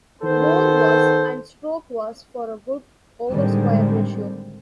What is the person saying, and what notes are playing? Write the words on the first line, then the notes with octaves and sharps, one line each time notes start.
Bore was and stroke was for a good oversquare ratio.
D#3 B3 A4 C5
A2 D3 D#3 G3 G#3 C4